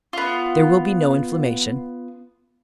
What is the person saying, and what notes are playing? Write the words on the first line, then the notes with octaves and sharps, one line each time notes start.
There will be no inflammation.
B3 F4